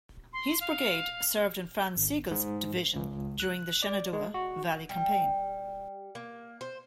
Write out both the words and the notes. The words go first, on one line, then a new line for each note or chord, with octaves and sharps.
His brigade served in Franz Sigel's division during the Shenandoah Valley Campaign.
C6
F5
G#1
G#2
C#2
F#6
D5
G#3
F#4
G3
A#3
C5